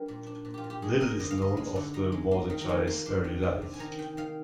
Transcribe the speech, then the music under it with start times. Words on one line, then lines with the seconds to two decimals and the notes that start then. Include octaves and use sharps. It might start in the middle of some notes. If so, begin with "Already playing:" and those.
Little is known of the Mordechai's early life.
Already playing: G3 D4 G4 A#4
0.08 A#2
0.27 D4
0.45 A#2
0.54 F4 G4
0.64 A#2
0.70 G4
0.82 G#3 G#4
1.00 G#3 A#4
1.20 D3 D#5
1.31 F5
1.38 D3 D#5
1.57 G#3
1.76 D3
1.94 D#4 A#5
2.12 G#3
2.31 A#3
2.50 D#3
2.61 A#5
2.69 A#3 G#5
2.87 A#3 C6
3.06 D4 C6
3.24 D#3
3.43 D4
3.62 C3
3.74 G#5
3.79 D#3 A#5
3.98 D#3 G5
4.17 D#3 F5